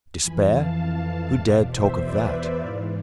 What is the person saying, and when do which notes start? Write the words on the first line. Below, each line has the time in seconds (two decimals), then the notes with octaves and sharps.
Despair! Who dared talk of that?
0.21 F2 E3 G#5 B5
0.51 F5 A5
0.80 F5 A5
1.40 E2 B2 D5 F5
1.69 C5 E5
1.99 B4 D5
2.58 G#2 E3 D5 F5